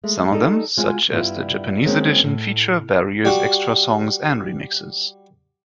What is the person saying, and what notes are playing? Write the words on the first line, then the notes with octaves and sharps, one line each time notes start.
Some of them, such as the Japanese edition, feature various extra songs and remixes.
G#3 A3
G3 D#4 A4
G#3 F4 F#4 E5 G#5
G2 G3 B3 E4 F4
D#3 F#3 G#3 A#3 C4 C#4
A2
G3 F#4